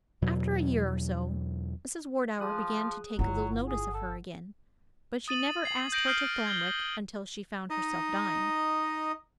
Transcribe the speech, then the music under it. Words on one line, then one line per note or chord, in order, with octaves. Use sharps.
After a year or so, Mrs. Wardour began to take a little notice of her again; but she never asked her to Thornwick until she found herself dying.
E2 B2 F#3
F3 G#4 D#6 F#6
G1 F#3 E4 F4 F#5
G#4
A4
D#6 A6 D#7 F#7
G#6 C7 F#7
G6 A#6 D7 F#7
D#6 F6 G6 C7 D7
G#6 G7
D#4 D#5